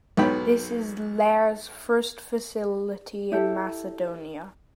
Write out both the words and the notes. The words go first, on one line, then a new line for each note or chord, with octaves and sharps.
This is Lear's first facility in Macedonia.
B1 G#2 F#3 B3 G5 B5
E4 G4 A4